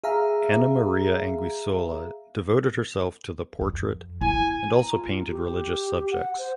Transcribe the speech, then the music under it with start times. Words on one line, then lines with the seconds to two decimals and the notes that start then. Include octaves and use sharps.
Anna Maria Anguissola devoted herself to the portrait and also painted religious subjects.
0.04 G#4 E5 F5 A#5
3.61 F2
4.21 E4 G#5
4.72 A#5
4.94 F4
5.30 G4
6.12 F#5
6.38 C5